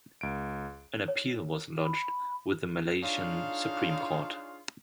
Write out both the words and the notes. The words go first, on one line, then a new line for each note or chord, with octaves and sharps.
An appeal was lodged with the Malaysian Supreme Court.
C#2 D7
C#5
B5
D4 D#4 F4 G#4 C#5 F5